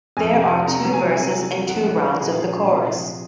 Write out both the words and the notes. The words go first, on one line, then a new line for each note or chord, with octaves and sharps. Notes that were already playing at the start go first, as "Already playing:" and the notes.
There are two verses and two rounds of the chorus.
F2 G#5
C3
F1
C3 A#5
F#3
G#5
C2
C3 G#5
F#3
C2
F2 F#5
C#3
F#3
A#4
A#2 G#4
F3
A#1
C3
F3